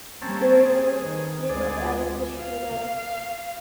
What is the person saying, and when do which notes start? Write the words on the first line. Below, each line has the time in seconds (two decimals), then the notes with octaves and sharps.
The original name of Attock District was Attock.
0.22 G3 A#3 C4 C#4 A5 A#5
0.65 G#4 C5
1.00 D#3 B4
1.49 D2 G#3 G#4 D5
1.81 F4
2.40 F5